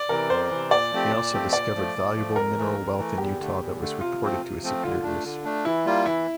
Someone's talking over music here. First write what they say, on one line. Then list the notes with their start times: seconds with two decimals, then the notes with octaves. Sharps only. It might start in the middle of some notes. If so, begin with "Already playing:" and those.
He also discovered valuable mineral wealth in Utah that was reported to his superiors.
Already playing: D5
0.09 C3 E3 A#4
0.30 F2 C5
0.50 C3 E3
0.71 A#2 D5
0.92 F3 A3 C4 G4
1.12 A#2
1.33 F3 A3 C4 G4
1.53 A#2 D5
1.74 F3 A3
1.95 A#2
2.15 F3 A3
2.36 F2 A#4
2.56 E3 A3
2.77 F2
2.98 E3 A3
3.18 E2 G4
3.39 D3 A3
3.59 E2
3.80 D3 A3
4.00 C3 F4
4.20 F3 A3 C4
4.42 C3
4.62 F3 A3 C4
4.83 D3 F4
5.03 A3 D4
5.24 D3
5.45 A3 D4
5.65 E3 E4
5.86 G3 A#3 F4
6.06 E3 E4